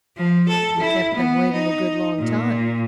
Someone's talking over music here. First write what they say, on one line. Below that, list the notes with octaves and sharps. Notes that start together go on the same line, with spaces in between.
'You kept them waiting a good long time!'
F3
A4
E4
B3
D#4
A#2